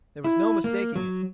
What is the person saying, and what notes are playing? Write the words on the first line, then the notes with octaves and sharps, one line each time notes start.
There was no mistaking it.
E4
A#3
F#3